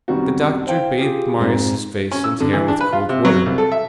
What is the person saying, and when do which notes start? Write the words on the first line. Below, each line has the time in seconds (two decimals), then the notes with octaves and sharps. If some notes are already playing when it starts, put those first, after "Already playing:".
The doctor bathed Marius' face and hair with cold water.
0.08 F#2 C3 D#3 G3 B3 F#4
0.67 C5 F5 G5
0.98 F4 G4 G#4
1.38 F2 G#2
2.12 C#4
2.24 E6
2.41 D3
2.53 E3
2.68 D4
2.81 B4
2.93 F4
3.09 C3
3.25 F#3
3.46 C2
3.58 A4
3.72 E5